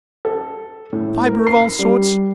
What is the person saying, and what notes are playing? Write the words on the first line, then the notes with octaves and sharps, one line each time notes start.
Fibre of all sorts.
A4
A2
A#4
C7
G3